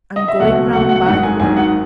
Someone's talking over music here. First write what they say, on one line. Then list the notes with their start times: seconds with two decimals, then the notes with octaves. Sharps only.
I'm going round by the road.
0.16 D#5
0.28 E5
0.40 C#2 B2 F#3 A3 F#5
0.72 C#2 B2 F#3 A3 F#5
0.89 F#5
1.06 G#1 G#2 D#3 F#3 F#5
1.23 G#5
1.39 G#1 G#2 D#3 F#3 G#5
1.56 F#5